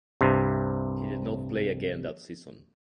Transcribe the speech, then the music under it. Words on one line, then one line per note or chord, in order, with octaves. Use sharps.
He did not play again that season.
C2 G2 C3